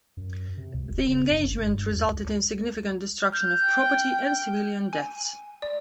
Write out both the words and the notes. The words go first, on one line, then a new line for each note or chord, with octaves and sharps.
The engagement resulted in significant destruction of property and civilian deaths.
F#2
C3
C#2
D#1
C#3
F#2
G1
G2
E2
C#2
F6 G6
G5
G#5
D5